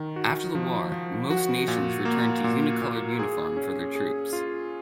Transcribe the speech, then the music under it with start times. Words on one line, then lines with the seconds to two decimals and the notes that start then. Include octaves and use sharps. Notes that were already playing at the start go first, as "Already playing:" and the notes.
After the war, most nations returned to a unicoloured uniform for their troops.
Already playing: D#3
0.16 F#4
0.55 F3
0.92 F3
1.30 F#4
1.68 A#2
2.05 A#3
2.44 A#2
2.82 A#2
3.19 G#4
3.57 C#4
3.95 G#4
4.33 F4